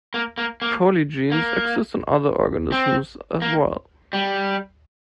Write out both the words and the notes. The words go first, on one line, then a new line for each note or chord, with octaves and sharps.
Polygenes exist in other organisms, as well.
A#3
A#3
A#3
A#3
C4
A#3
G3